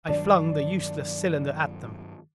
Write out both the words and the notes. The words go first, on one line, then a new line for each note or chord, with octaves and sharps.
I flung the useless cylinder at them.
G2 D#3 F#3 D4